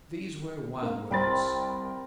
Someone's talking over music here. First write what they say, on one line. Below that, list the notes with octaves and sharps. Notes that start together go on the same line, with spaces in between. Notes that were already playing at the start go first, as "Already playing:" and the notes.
These were wild words.
A#3
C2 C4 A#4 G5 B5 A6